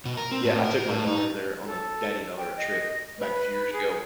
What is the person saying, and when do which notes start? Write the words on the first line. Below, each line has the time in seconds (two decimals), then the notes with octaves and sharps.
Yeah, I took my daughter there on a daddy-daughter trip back a few years ago.
0.05 B2
0.17 A#4
0.31 C4
0.45 A2
0.65 A#4
0.89 A2
1.07 D#4
1.66 A4
2.38 G5
2.57 D#5
3.19 B4
3.73 G#4